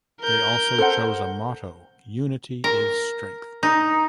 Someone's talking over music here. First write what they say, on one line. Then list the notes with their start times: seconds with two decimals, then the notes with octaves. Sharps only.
They also chose a motto: unity is strength.
0.21 A#4 G6
0.78 A4 C5 F#5
2.64 A#4
3.63 D#4